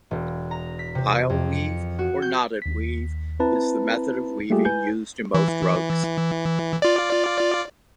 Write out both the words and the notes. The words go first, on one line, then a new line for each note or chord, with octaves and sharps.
Pile weave or knotted weave is the method of weaving used in most rugs.
E1
A#5
B6
C3
F2
C#7
F#4
G6
D#2 B6
C4 E4 B4 A5 A#5
G3 A3 A#3 F4 G4 G#4
E4 B4 G#5 G6
E3
F4 D5